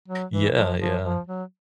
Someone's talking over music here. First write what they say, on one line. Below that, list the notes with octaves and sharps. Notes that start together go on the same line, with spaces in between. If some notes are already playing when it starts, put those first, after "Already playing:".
Yeah, yeah.
F#3
E3
F3
F3
F3
F#3